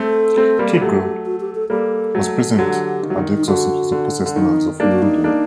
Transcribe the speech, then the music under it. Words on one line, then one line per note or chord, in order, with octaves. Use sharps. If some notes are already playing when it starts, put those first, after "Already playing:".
Killigrew was present at the exorcism of the possessed nuns of Loudun.
Already playing: A3 C4 A4
A3 C4
G3 A#3 A#4
A4
F#3 A3 G4
F#4
G4
A4
G3 A#3 A4
F#3 A3
D3 F#3 G4
D#3
F#3
D#3
D#4
D3 F#4
D3
D3
D#3 D#4
A#3 D4 D#4
F#4
D#4
A#3 D4